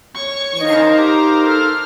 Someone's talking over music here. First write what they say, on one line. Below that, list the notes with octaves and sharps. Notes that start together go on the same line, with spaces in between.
you know?
C#5 C#6
D#4 A#4 C5 D#5 F5
G4 A#5
A4 F6